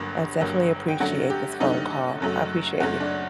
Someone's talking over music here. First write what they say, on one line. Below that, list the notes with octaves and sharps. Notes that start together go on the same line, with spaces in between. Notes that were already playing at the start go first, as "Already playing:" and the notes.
I definitely appreciate this phone call, I appreciate you.
Already playing: G1 G2 F#3 A#3
G1 G2 F#3 A#3
G5
F#2 D3 F#3 A3 F#5
G4
F#2 D3 F#3 A3 D#4
F#1 F#2 F#3 A3
F#1 F#2 F#3 A3 F#4
D4